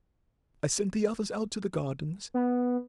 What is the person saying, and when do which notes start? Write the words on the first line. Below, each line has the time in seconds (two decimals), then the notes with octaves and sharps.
I sent the others out to the gardens.
2.34 B3